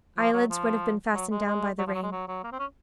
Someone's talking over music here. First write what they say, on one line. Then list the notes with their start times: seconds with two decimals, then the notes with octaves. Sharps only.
Eyelids would have been fastened down by the rain.
0.17 F3
0.33 F#3
0.50 F3
1.14 F#3
1.31 G#3
1.46 G#3
1.78 F#3
1.87 F3
1.95 F#3
2.03 G#3
2.12 F#3
2.28 F#3
2.44 A#3
2.52 C4
2.60 C#4